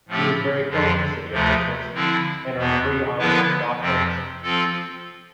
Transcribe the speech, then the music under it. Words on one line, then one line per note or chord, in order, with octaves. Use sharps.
He was very close to city officials and earned three honorary doctorates.
A2 F3 A3 C4 G4
F2 D3 F3
D2 C3 F3 A3
D3 F3 C4 E4
E2 B2 B3
D3 F3 B3 E4 B4
F2 C3 F3 C4
F3 C4 F4 A4